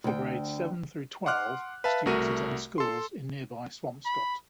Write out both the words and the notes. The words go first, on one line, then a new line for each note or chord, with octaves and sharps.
For grades seven through twelve, students attend schools in nearby Swampscott.
D2 G5
F#5 C6 D6 F6 F#6
B4 E5 F5 A5
C2 A3 F#4 A#4 D#7
A4 C6
B5